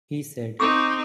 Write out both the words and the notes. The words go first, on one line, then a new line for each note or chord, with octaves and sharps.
He said ...
C4 D#4 C#6 D6